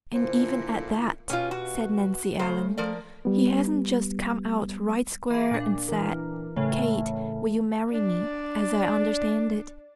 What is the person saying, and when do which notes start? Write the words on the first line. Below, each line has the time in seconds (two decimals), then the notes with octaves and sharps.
"And even at that," said Nancy Ellen, "he hasn't just come out right square and said 'Kate, will you marry me?' as I understand it."
0.15 A#2 D3 F3 A#3 E4 C5
1.29 B2 C#4 F4 G4
1.51 F#4
2.39 C#3 A3 C#4 C5
2.77 F3 A#4 D5
3.25 G3 B3
5.30 E3 G#4
5.51 A#2 D4
5.89 E3 A#4
6.56 A2 C#3 A3
7.94 D4 D5